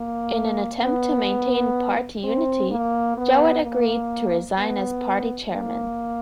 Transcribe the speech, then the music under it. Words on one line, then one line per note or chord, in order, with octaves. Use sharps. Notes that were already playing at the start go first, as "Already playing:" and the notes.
In an attempt to maintain party unity, Jowett agreed to resign as party Chairman.
Already playing: A#3
B3
C4
A#3
B3
A#3
B3
A#3